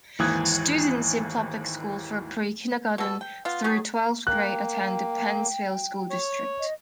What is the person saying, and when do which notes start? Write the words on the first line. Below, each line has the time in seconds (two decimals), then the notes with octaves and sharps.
Students in public school for pre-kindergarten through twelfth grade attend the Pennsville School District.
0.19 G#1 D#2 E3 D#6 F#6 G#6
2.98 B2 A4 A5
3.21 G5
3.45 B3 F4
3.64 D#3 F#3 C#4 G#4
4.27 A#3 G5 F#6
6.10 C#5
6.60 D#5